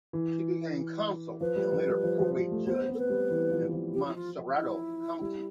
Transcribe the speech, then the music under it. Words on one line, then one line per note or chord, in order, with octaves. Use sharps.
She became counsel and later probate judge in Montserrado County.
E3
F3 B4
G3
F3
G3
F3
F3
G3
A3
B3 C5
C4
A4
B4
G3
E3
F3
F3
G4
E4
F4
E4
G3